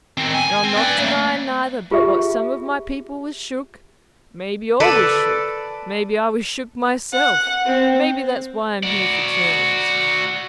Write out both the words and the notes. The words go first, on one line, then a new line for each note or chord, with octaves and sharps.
And I'll not deny neither but what some of my people was shook--maybe all was shook; maybe I was shook myself; maybe that's why I'm here for terms.
D#3 C4
G#5
C4
B4 D5
A3 A#3
F4 G4 G#4 E5
A4 B4 D5
F#5
C4
F#4 D5